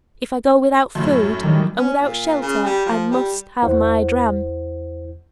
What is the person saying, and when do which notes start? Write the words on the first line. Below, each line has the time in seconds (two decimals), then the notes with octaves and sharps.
If I go without food, and without shelter, I must have my dram.
0.95 F#2 A2
1.43 D#3 G3
1.76 C#4
1.99 A#2
2.41 C#3
2.65 G3
2.86 F3
3.11 G3
3.62 E2 E4 C5 F#5